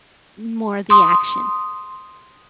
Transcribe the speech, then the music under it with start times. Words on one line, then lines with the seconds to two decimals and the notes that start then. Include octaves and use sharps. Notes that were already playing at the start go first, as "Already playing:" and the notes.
more of the action.
0.90 C6 D#6